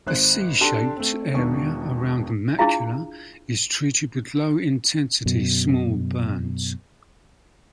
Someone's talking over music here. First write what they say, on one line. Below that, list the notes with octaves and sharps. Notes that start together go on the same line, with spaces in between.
A 'C' shaped area around the macula is treated with low intensity small burns.
G#1 C5 F#6
D4 G4 A4 A5 C6
A3 C4
E1 B2 D#3 D4 C#6
D4 E4 F4 G#4 F5 A#5
F#2 B2